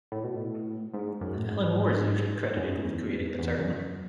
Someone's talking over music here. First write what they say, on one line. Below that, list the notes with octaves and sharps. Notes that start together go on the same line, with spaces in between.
Alan Moore is usually credited with creating the term.
A2
B2
A2
G#2
F#2
A2
G#2
F#2
E2
F#2
E2
E2
F#2